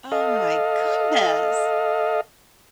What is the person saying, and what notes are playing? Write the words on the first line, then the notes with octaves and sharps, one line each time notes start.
Oh my goodness.
A4 D#5 F5